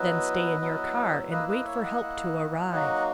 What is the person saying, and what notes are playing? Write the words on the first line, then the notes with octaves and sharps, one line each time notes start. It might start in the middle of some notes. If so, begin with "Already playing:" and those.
Then stay in your car and wait for help to arrive.
Already playing: F#3 B3 E4 B4 D#5
F#3 B3 E4
A#3 E4 B4 D#5
B4 D#5
C#5 E5
D#5 F#5
A#3 E4
F#3 A#3 D#4 F#4 D#5 F#5